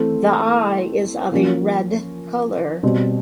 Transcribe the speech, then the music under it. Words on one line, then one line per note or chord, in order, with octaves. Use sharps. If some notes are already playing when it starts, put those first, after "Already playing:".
The eye is of a red color.
Already playing: E3 A3 C4
F3 A#3 C#4
B2 G3 C4